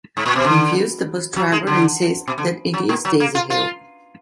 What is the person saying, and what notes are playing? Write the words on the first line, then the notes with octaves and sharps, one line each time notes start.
Confused, the bus driver insists that it is Daisy Hill.
G#2
A#2
B2
D3
F#3
G#3
D3
B2
D3
F#3
A#2
F#3
A#3
F4
F4